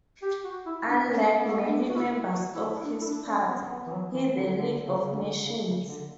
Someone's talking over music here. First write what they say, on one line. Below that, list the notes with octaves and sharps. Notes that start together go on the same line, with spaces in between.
Unlike many members of his party, he the League of Nations.
G4
F#4
E4
D4
B3
C#4
B3
A3
B3
D4
F#4
E4
F#4
E4
D4
E4
D4
C#4
B3
B3
E3
F#3
E3
D3
D3
C#3
C#3
D3
C#3
C#3
D3